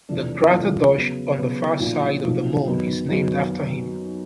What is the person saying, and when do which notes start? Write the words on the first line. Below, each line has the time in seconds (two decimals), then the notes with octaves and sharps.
The crater Deutsch on the far side of the Moon is named after him.
0.09 E2 C3 F3 A3 D4
0.51 E2 C3 F3 A3 D4
0.94 C#3 F#3 B3
1.37 C#3 F#3 B3
1.80 B1 A#2 F3
2.23 B1 A#2 F3
2.66 F#2 D#3 F#3 B3 D#4
3.08 F#2 D#3 F#3 B3 D#4